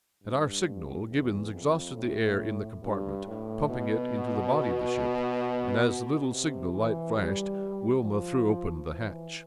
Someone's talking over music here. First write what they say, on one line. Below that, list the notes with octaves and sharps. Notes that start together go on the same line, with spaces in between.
At our signal, Gibbons exhausted the air in the compartment, pumping it into the body of the ship, and as the little signal light flashed, Wilma threw open the hatch.
G2
E2
F2
A2
G2
A2
B2
C3
E3
G3
F3
E3